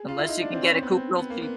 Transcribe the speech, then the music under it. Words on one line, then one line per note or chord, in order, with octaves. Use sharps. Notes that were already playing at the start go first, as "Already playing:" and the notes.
unless you can get a coop real cheap.
Already playing: G#4
F4
E4
D#4
D4
C4
C#4
C4
B3
C4
B3
A#3
B3